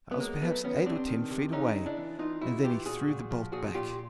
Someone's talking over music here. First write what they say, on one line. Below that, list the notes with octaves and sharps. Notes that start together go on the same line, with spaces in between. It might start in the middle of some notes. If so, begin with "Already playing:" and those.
I was perhaps eight or ten feet away--and then he threw the bolt back.
B3
F#3 G#3 A#3
F#3 A3 B3
D#3 B3 C#4
C3 C4 D4
D#3
C3
E3 C#4 D#4
C#3
D4 E4
E3
E3 D#4 F4
C#3 E4 F#4
E3 F4 G4
A#2 F#4 G#4
A#2
F3
A#2 F#4 G#4
A#2 F4 G4